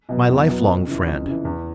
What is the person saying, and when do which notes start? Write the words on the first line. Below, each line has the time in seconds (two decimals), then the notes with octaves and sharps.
My life-long friend!
0.09 B2 F#3 B3
0.29 E2
0.47 B2 F#3 B3
0.67 F2
0.87 C#3 E3
1.06 F2
1.25 C#3 E3
1.45 E2